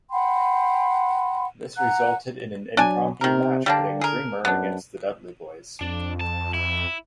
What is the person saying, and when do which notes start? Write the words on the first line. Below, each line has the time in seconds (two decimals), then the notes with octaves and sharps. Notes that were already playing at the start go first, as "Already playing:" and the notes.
This resulted in an impromptu match pitting Dreamer against the Dudley Boyz.
0.11 F#5 G5 B5 C6
1.76 F#5 A#5 F#6
2.77 F#3 D4 G#5
3.21 C3 D#3 A#4
3.66 D3 G3 A#3 D4
4.01 G#4 A#4
4.45 F#2 B3 D4
5.81 F2 D4
6.21 A5
6.54 E4